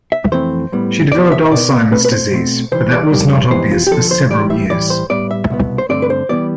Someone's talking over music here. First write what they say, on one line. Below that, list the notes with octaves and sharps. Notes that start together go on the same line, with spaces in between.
She developed Alzheimer's disease but that was not obvious for several years.
E5
F2 E3 A3 C4 C5
A2 G3 B3
F2 C3 E3 B3 D5
E5
B2 B3 D5
B2 A3 C4 B4
B4
C5
B2 A3 C4
C2 C3 E3 G3 C5
D5
F2 D3 G3
F2 C3 E3 B3 C5
F4
G4
F2 D3 F3 A4
C5
A2 E3 G3 D5
E5
A2 E3 G3 D5
C5
A2 G3 B3 D5
E5
C2 B2 B3
C5
G2 D3 A3 C4 D5
B4
C5
C3 E3 G3 B3 D5